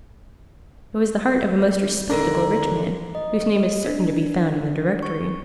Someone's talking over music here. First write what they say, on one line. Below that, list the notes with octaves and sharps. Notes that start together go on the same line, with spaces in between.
It was the heart of a most respectable rich man, whose name is certain to be found in the Directory.
D#2 D3 A#4 D5
D#5
D4
C#6